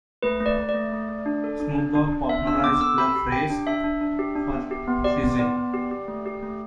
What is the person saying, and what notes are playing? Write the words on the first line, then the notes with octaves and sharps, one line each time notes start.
Snoop Dog popularized the phrase "For shizzle".
A3 B4
A3
D5
A3
D5
A3
A3
A3
D4
A4
D4
D4
D4
D4
B3 E5
D4 E6
B3 D6
A4 E6
G4 B5
G4
G4 G5
D4
D4 E5
D4
D4
G4
D4
B3
G4
B3
G4 D5
B3
B3 D5
B3
G4
G4
A3
G4
A3